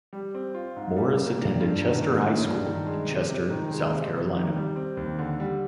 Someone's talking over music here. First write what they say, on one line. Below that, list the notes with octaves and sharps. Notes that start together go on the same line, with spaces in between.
Morris attended Chester High School in Chester, South Carolina.
G3
C4
F4
G#2
G3
A#3
D4
G2
D#3
A#3
D4
G2
D#3
G#3
C3
C3
D#3
G#3
C3
C3
D#3
G3
C4
D#2
D3
G3